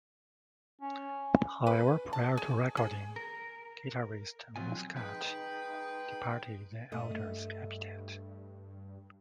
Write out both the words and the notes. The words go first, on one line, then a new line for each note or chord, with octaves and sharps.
However, prior to recording, guitarist Muscat departed Adler's Appetite.
C#4
B4
A5
G#4
G#4
A#4
F3 F#3 C4 D#4 F4 G#5
G#3 D#4 G#4 B4 G5
G2 A3 D#5